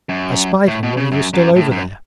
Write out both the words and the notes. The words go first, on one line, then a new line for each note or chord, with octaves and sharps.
I spied him when he was still over there.
F#2
A2
B2
C#3
F#2
F#2
A2
F#2